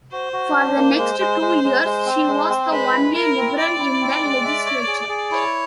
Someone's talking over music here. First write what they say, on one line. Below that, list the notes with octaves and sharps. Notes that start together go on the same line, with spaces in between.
For the next two years, she was the only Liberal in the legislature.
F#4 C5
F#4
D4
A#3
G#3
G#3
G#3
G#3
G#3
C4
G#3
C4
G#3 B4
E4
E4 A#4
C4
E4 D5
E4
C4
G#3
E5
C#5
G#4
G#4
E4 C#5